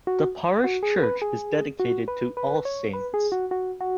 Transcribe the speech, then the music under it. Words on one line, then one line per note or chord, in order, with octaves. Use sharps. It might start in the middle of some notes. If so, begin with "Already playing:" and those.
The parish church is dedicated to All Saints.
F#4
F#4
G#4
B4
G#4
F#4
B4
B4
C#5
B4
G#4
F#4
F#4
F#4